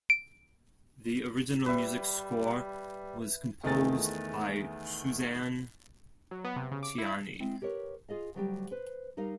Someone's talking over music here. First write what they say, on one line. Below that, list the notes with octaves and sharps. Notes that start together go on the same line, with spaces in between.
The original music score was composed by Suzanne Ciani.
D7
G3 B4 E5
E2 D#3 E3 A3 G#4 A6
F#3
B3
C3
C#3
D6
E4
G#3 C4 E4
G4 A#4 B4 C#5
F4 G#4 D#5 F5
D2 F#3 G3 G4
B4 C5
G3 D#4 A#4 F5